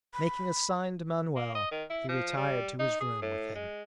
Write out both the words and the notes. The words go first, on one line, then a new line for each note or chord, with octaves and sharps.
And making a sign to Manoel, he retired to his room with him.
B5
A#3
D#5
D#3
E4
F3
G3
D#4
G#4
A2
G#3